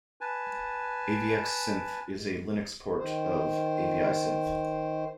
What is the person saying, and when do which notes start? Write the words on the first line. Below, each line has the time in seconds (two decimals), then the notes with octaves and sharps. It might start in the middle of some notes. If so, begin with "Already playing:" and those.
AvxSynth is a Linux port of AviSynth.
0.21 B4 G#5 A5
2.98 D#3 C5